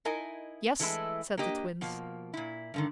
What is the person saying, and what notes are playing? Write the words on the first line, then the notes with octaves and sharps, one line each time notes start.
"Yes," said the Twins.
D#4 E4 A#4 D#5 G#5
E3 G#3 A3 D#4 E4
A#3 D4 G4 D#5
B2 F3 A#3
A#2 E4
G2 D3 D#3